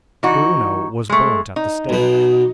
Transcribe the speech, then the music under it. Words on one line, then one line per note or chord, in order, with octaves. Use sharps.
Bruno was burnt at the stake.
E3 D#4 F#4
G#3 A3
D#4
B1 B2